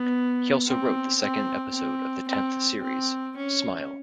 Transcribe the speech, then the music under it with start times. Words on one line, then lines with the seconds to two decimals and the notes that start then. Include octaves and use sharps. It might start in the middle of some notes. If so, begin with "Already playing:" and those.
He also wrote the second episode of the tenth series, "Smile".
Already playing: B3
0.67 C4
1.21 C4
1.75 C4
2.28 C4
2.82 C4
3.37 C#4